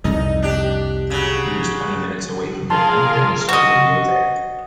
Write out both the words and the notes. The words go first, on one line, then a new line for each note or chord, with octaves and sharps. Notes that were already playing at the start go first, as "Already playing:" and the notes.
He was twenty minutes away from the tent, and he started to go there.
C2 F2 D#4
D4 G4
C#3 F#3
F4 G#4 A#4 F5 A5 C6
F#4 D#5